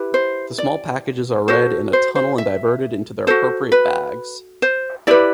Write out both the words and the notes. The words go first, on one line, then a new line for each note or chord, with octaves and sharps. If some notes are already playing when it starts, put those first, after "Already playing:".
The small packages are read in a tunnel and diverted into their appropriate bags.
Already playing: E4 G4 B4
C5
D5
F#4 A4 C5
C5
C5
E5
F#4 A4 C5
B4
C5
E4 G4 B4 D5